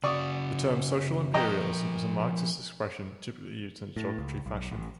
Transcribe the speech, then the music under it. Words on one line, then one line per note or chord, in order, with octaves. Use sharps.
The term "social imperialism" is a Marxist expression, typically used in a derogatory fashion.
C#3 F#4 D5 C#6 D#6
F3 A#4 D#5 G5 A#5
A2
C#2
B1
A1